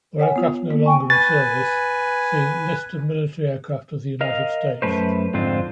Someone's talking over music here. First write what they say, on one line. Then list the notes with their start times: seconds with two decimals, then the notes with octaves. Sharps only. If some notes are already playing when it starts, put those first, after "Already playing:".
For aircraft no longer in-service see List of military aircraft of the United States.
0.20 C#5 F#5 G#5
0.36 B3 F4
0.70 A#3
0.85 G5 G#5 C#6
1.10 B4 G#5 A6
4.21 A#4 D#5 F5
4.82 F#2 D#3 A3 B4 C5
5.34 F2 G#2 D3 C4 F4